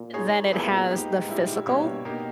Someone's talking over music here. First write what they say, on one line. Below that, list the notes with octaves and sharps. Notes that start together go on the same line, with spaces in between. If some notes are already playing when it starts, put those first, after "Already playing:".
Than it has the physical.
Already playing: A#2
G#3 D#4 G#4 C#5
A#2 G3 B3 E4 G#4 B4
G#2 A#3 D#4 G4 B4
A#2 G3 A#3 E4 G4
G2 B2 A#3 E4 G4 C#5
B2 A#3 D#4 G4 A#4